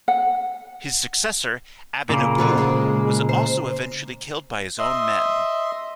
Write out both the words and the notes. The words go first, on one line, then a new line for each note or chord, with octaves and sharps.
His successor, Aben Aboo, was also eventually killed by his own men.
F#5
A#2 C#3 A#3
B2 D3 F3
G#3
C5
D#5 E5 C6